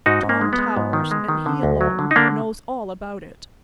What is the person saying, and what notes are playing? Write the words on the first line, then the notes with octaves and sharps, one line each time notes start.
Tom Towers, and he alone, knows all about it.
G#2 D#4 F#4
G#2
A#3
G#3
B3
G#3
G#2
D#3
G#3
D#3
D3
D2
F#3
D3
D#4
D3 A#3 D4